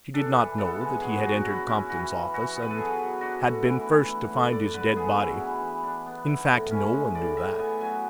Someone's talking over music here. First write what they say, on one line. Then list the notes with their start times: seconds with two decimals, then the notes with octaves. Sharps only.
She did not know that he had entered Compton's office and had been first to find his dead body; in fact, no one knew that.
0.14 D4 A4
0.36 E3
0.58 B3 A4
0.81 G#3
1.02 F#3 G#4
1.23 F#3 F#4
1.45 E4 F#4
1.68 C#4 E4
1.89 E3 F#4
2.11 E3
2.34 E4 F#4
2.56 B3
2.62 B4
2.70 A4
2.77 F#3 G#4
2.99 F#3
3.21 D4 F#4
3.43 A3
3.65 E3 E4
3.86 E3
4.08 E4
4.30 A3
4.52 E4 D5
4.74 D3 B4
4.96 B3 G#4
5.18 F#3 E4
5.40 E3
5.61 E3
5.84 D4
6.06 B3
6.27 E4
6.49 A2
6.71 C#4
6.93 G#3
7.15 A2 D5
7.37 A2 E5
7.59 B3 G#5
7.81 F#3 G#5